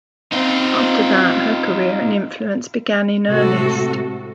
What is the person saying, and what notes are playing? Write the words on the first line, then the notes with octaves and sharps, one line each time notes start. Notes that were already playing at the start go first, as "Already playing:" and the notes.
After that her career and influence began in earnest.
C4 D#4 F4
A2 C3 G#3 F#4 A4